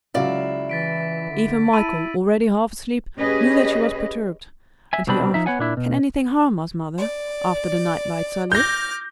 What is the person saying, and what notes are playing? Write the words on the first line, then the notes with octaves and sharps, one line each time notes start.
Even Michael, already half asleep, knew that she was perturbed, and he asked, "Can anything harm us, mother, after the night-lights are lit?"
C#2 C#3 F#3 E4 D5 F5
E3 A6 B6 D7
D3
E4 A5 B5 E6 D#7
C#4 G4 G#4 B4 D#5
E5 G#5
C2 B2 C4 D4 B5
F3 D#4 E5
B3 C#5 F#5 G#5
A#2 D4 E4
B2
D5
D6 F6 G6 A#6